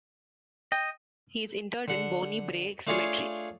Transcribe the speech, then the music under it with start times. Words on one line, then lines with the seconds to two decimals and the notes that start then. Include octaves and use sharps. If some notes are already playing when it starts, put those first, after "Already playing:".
He is interred in Bonnie Brae Cemetery.
0.72 D#5 G5
1.88 D3 F#5
2.87 A3 D4 F4 G#4 C#5 F5